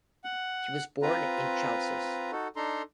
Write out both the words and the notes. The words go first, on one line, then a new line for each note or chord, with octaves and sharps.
He was born in Chalcis.
F#5
C4 F4 B4 A#5
D#4 F#4 A4
D4 D#4 A4 A#5 C6